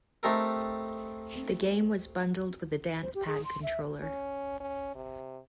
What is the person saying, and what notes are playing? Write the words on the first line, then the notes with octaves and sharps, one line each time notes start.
The game was bundled with the dance pad controller.
A3 C4 D#4 G4 A4 A#4
C5
G4
G#4
C6
E5
C#4
C#4
C3